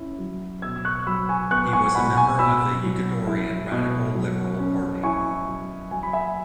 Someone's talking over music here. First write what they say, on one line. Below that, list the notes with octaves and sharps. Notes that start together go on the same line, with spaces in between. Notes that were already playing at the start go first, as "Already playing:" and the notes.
He was a member of the Ecuadorian Radical Liberal Party.
Already playing: C#4 E4
F#3
B2 E6 G#6
E6
C#6 F#6
F#3 B5 E6
G#5 C#6
B3 C#6 F#6
G#5 C#6
B2 F#5 B5
G#5 C#6
B2 B5 E6
F#3
E4
B2
F#3
C#4
E4 G#5 C#6
F#3
F#3 G#5
B5
E5 G#5